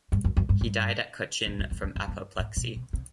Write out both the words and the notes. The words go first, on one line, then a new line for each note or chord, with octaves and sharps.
He died at Cochin from apoplexy.
G2
F#2
F#2
G2
G2
G2
F#2
F#2
E2
F#2
G2
A2
B2
C3
C3